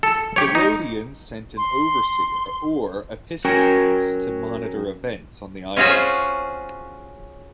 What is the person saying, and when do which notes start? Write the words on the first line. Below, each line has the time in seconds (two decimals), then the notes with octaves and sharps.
The Rhodians sent an overseer, or "epistates", to monitor events on the island.
0.03 A4
0.36 G4 C#5
0.55 D#4
1.57 C6
3.45 F#3 C#4 F#4 A#4 G5 G#5
5.76 C#4 F4 F#4 G#4 C5 C#5